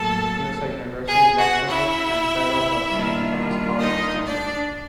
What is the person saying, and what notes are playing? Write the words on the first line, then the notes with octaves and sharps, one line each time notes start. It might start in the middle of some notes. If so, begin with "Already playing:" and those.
He was a University Lecturer and Fellow of Saint John's College, Cambridge.
Already playing: A2 F#3 A#3 A4 A5
G#4 G#5
F#4 F#5
E4 E5
D#3 G3 A#3 D4 F4
D#4 D#5
D4 D5